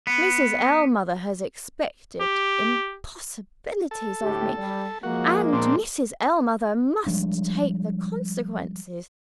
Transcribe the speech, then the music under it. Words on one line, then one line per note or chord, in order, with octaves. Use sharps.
Mrs. Ellmother has expected impossibilities of me; and Mrs. Ellmother must take the consequences.
B3
G4
A4
D2 A2 G4
G3
F3 G#3 A#3 F#4
A#2 C4 D4
F3 G3 G#3 D4